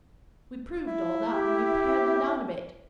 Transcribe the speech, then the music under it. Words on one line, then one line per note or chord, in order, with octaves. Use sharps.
We proved all that when we pared them down a bit.
E4
G4